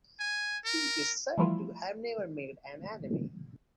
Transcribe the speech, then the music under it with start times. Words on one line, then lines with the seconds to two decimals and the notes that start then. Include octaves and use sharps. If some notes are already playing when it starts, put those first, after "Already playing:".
He is said to have never made an enemy.
0.20 G#5
0.65 A#4
1.37 E3 F3 G3 A3 E4 F4